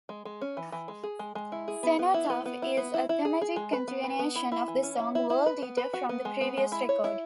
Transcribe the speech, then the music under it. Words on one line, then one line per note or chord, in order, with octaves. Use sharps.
"Cenotaph" is a thematic continuation of the song "World Eater" from the previous record.
G#3
G#3
C#4
E3
E3
G#3
G#4
G#3
G#3
E4
G#4
B3
B3
E4
B3
B3
E4
B3
E4
E4
G#4
G#4
G#3
B4
B3
B4
B3
E4
E4
E3
C#4
E4
E4
E4
B4
B3
B4
F#4
B3
G#3
B3
G#3
E4
C#5
E4